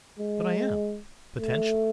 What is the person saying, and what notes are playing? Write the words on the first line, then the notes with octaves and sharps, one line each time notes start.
"But I am, potentially."
G#3
A3